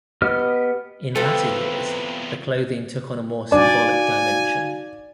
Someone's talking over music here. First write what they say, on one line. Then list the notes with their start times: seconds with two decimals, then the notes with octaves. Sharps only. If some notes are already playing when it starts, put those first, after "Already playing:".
In latter years, the clothing took on a more symbolic dimension.
0.22 B3 G4 D#5 F6
1.16 E2 C3 C4 F4 A4 B4
3.52 D4 D#4 F#4 D5 F5 G#5